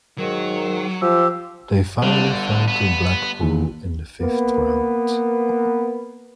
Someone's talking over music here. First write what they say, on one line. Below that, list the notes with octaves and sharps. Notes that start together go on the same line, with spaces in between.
They finally fell to Blackpool in the fifth round.
G#2 D#3 F#3 A#4
F3 G4 E6
G1 G2 D3
B3
D#2
A#3 B3